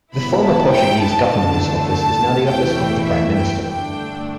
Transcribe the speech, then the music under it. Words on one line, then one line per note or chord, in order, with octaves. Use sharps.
The former Portuguese Governor's office is now the office of the Prime Minister.
G2 G3 B3 E4 B5
A5
G5
A5
E2 D3 A3 A5
A5
E2 E3 A3 E4 G5
E5
G5
G2 D3 A3 D4 G5